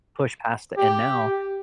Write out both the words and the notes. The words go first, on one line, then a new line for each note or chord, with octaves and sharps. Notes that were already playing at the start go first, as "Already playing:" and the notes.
push past it and now
G4